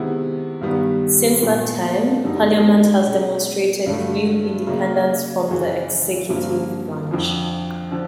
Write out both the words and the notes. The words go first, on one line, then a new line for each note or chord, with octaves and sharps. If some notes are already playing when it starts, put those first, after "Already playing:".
Since that time, Parliament has demonstrated real independence from the executive branch.
Already playing: C3 D#3 G#3 B3 E4
G2 D#3 G3 B3
A#2 F#3 B3
F#2 D3 G3 B3 D#4
B2 G#3 C#4
G2 D3 F#3 A3
C#3 F#3 A#3
F#2 C#3 E3
G2 D3 F3 A#3 C#4
F2 D3 F3
D3 F3